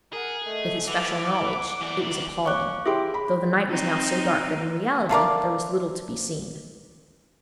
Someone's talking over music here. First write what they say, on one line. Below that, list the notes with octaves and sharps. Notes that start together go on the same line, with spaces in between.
With his special knowledge, it was appalling--though the night was now so dark that in reality there was little to be seen.
G#4 A#4 F#5
A3 D#5
E3 F#5 D6
E3 D5
C#5 F5 C#6 D6 F#6
E4 G4 G#4 C6
B5
C4 D#4
A3 F4 A#4 D5